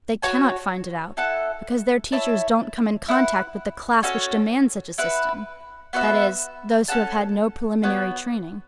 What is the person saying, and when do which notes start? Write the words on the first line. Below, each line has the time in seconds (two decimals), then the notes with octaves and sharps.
They cannot find it out, because their teachers don't come in contact with the class which demands such a system--that is, those who have had no preliminary training.
0.22 F#4 C#5 A5
1.17 E4 A4 F#5 A5
2.12 E4 C#5 E5 A5
3.08 E4 B4 F#5
4.03 C#4 F#4 A4 C#5
4.98 E4 B4 F#5
5.93 B3 F#4 B4 E5
6.88 C#4 A4 F#5 A5
7.83 B3 F#4 C#5